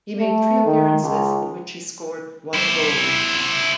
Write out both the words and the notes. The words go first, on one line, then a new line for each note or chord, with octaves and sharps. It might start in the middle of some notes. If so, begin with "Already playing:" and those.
He made three appearances in which he scored one goal.
A3
D#3
C#2
E4 C5